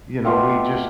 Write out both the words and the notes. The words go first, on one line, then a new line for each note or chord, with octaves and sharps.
you know, we just
B2 A3 F4 G4